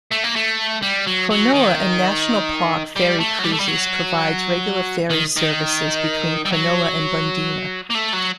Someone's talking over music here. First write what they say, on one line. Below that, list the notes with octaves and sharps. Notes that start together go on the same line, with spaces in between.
Cronulla and National Park Ferry Cruises provides regular ferry services between Cronulla and Bundeena.
A3
A#3
A3
G3
F#3
F#3
D#3
G3
A3
F#3
G3
A3
G3
F#3
D#3
D#3
G3
F#3
A#3
A3
F#3